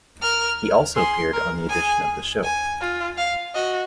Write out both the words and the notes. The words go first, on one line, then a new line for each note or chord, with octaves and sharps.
He also appeared on the edition of the show.
A#4 F6
G#4 C6
A#4
G#4 G#5
G#5
F4
F5
F#4 D#5